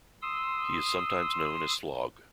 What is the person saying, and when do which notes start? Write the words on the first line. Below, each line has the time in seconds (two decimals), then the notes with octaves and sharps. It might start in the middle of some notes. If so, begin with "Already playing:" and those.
He is sometimes known as Slog.
0.22 C6 D#6 E6